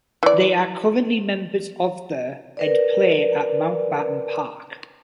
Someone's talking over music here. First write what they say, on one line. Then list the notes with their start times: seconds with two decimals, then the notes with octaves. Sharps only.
They are currently members of the and play at Mountbatten Park.
0.23 E3 D5
2.57 A#4 B4 D5